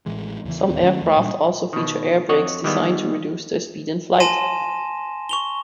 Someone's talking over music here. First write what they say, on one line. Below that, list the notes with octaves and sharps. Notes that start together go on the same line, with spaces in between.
Some aircraft also feature air brakes designed to reduce their speed in flight.
A1 A2 E3 G#3
E2 C#3 E3
D1 D#2 C4
D#3 F#3 A3 C#4
E2 E3 A3
A#2 G3 D4
B2 D#3
F2 F#4 C#5 D#5 F#5
D#3 E3 G3 G#3 B3
G#5 A5 C6 A#6 D#7 E7
C#6 F7 G7